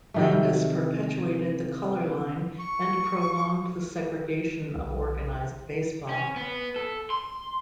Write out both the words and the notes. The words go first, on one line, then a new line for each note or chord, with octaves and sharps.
Landis perpetuated the color line and prolonged the segregation of organized baseball.
C3 D#3 A3
C#6
B1
C#4
B3
A4
C6